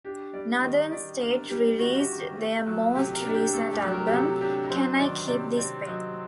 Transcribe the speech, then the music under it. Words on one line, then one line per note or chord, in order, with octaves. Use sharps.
Northern State released their most recent album, Can I Keep This Pen?
D4 G4
G3 D5
D#3 D#5
D#3 D5
D4 A#4
G3 G4
D#3 F#4
G4
D#3
G4
A3
F#3
C3 G4
A#4
D4
G4
A3 A4
G4
F#3
A#4
G4
C3 A4
D4 G4
F#3 C5
D#3 D5
C3 D5
C4 D5
F#3 D#5